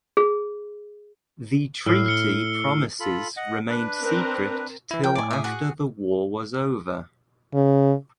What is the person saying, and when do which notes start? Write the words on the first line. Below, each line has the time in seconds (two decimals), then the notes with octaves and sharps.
The treaty promises remained secret till after the war was over.
0.17 G#4
1.86 A2 E6 F6 C7
2.06 F6 C#7 G7
3.00 F4 A4 B5
3.37 D#5 F#5
3.69 D4 B4
4.01 C4 A#4
4.91 E3 E4
5.04 F3 A#4 G5
5.16 A2 D5 G#5 D6
5.31 G#4 E5
5.44 F#4 G#4 F#5
7.55 C#3